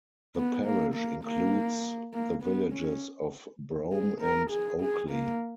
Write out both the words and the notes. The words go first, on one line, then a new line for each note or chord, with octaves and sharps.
The parish includes the villages of Brome and Oakley.
B3
A#3
A#3
A#3
A#3
B3
C#4
G#4
A#4
G#4
G#4
A#3